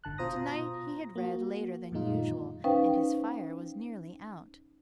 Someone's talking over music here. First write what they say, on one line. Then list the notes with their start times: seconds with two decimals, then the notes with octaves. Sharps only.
To-night he had read later than usual, and his fire was nearly out.
0.04 G1 D3 A5 F#6
0.18 B2 F4 C5 A#5 D#6 A#6
1.15 A#3 F#4
1.92 F#2 A#2 D#3 G#3 D#4 F4
2.64 C#4 D#4 B4 C5 F5 G5